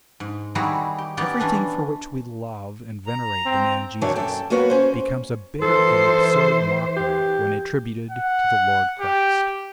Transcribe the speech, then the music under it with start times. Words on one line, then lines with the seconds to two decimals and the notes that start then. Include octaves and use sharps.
Everything for which we love and venerate the man Jesus becomes a bitter and absurd mockery when attributed to the Lord Christ.
0.20 G#2
0.55 D#3 G3 C4 E4 F#4 G#4
0.98 G4
1.17 G#3 B3 C#4 D#4 G4 D5
1.40 E3 C#4 D4 B4
3.06 A#5
3.46 C4
4.01 D#3 E3 F#3 D4 F#4 C#5
4.15 F#2 A4 G5
4.50 F#3 A#3 B3 F#4 B4 C#5
4.70 C#4 C5
5.62 E3 A4 C5
6.97 G4
8.11 F#5
8.99 G4